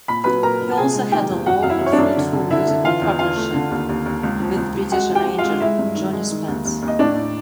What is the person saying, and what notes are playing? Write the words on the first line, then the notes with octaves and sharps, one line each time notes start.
He also had a long and fruitful musical partnership with British arranger Johnnie Spence.
A#2 B5
F#3 B4 B5
A#2 A#4 A#5
A#2
A5
C3 G#4 G#5
G#3
D#3 G4 G5
E2
F#2 F#4 F#5
F#2 F5
E4 E5
F#2
C#5
D4 D5
F#2
D3
D3
D3 E4 E5
D3
E3 F4 F5
E2
E2 F4 F5
A3
D3
D#2
D#2
D#2
C#2
F3
C#2
F3
G#3 F#4 F#5
F3
G4 G5
F3
G#3 F4 F5
G#3 E4 E5
G2
D#3
G#3
D#3
D#2
D#2
D#2
D#5
A2 D4 D5
A2